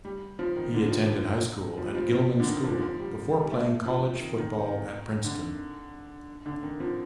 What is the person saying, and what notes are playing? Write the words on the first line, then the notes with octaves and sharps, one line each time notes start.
He attended high school at Gilman School before playing college football at Princeton.
G3
F3
D#3
D3
F3
D#3
F3
G3
F3
F3
D3
D#3
F3
F3
G3
G3
A3
F3
D#3
D#3
D3
D3
D#3
F3